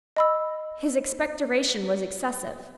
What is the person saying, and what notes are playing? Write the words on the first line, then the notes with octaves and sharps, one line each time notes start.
His expectoration was excessive.
D#5 B5 E6